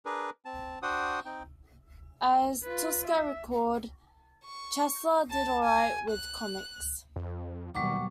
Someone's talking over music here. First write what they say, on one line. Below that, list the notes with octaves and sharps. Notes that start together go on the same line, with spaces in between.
As Tuska recalled, Chesler did alright with comics.
D4 G#4 A#4 B4
C4 A5
D4 F#4 C5 F#5 G5 D#6
C4 D#4 G5
F4 B4
E5
C#6
A5
G#5
F#6
F2
D#2 B2 D#3 F#3 G3 F#5 C#6 D6